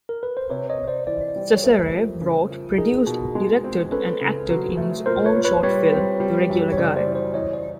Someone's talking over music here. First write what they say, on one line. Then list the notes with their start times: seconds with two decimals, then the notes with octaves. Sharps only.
Cecere wrote, produced, directed and acted in his own short film, "The Regular Guy".
0.09 A#4
0.23 B4
0.37 C5
0.50 C3 B4 C#5
0.70 C#5 D#5
0.79 C3
0.88 C5 D5
1.07 E3 C5 D5
1.36 G3
1.55 C#5
1.63 A3 A#4 C5
1.92 F2
2.21 C#3
2.50 F3
2.78 D#4 G#4 A#4
3.06 B2
3.35 G#3
3.64 C4
3.92 C#4 A4 B4
4.21 C#3
4.49 F#3
4.77 A3
5.06 A#2 A#4 C5
5.25 B4 C#5
5.35 A#2
5.44 B4 C#5
5.63 G3 B4 C#5
5.92 C4
6.20 G3
6.49 F#2
6.73 C#5
6.77 C#3 C5 D5
6.96 C5 D5
7.06 E3
7.15 C5 D5
7.34 E2 C#5 D#5
7.53 C5 D5